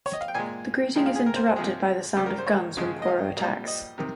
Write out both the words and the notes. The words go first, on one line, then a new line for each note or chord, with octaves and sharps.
The greeting is interrupted by the sound of guns when Poro attacks.
C#5
D#5
F5
G5
A#2 G#3 G#5
A#2 F3 G#3 G5
F5
G#4
A#4
C5
C5
C3 F3 G#3 G#4
C#3 G3 G4
A#4
C5
C#5
C#3 F3 G#3
D#5
F5
A#2 G3
D#5
C3 D#3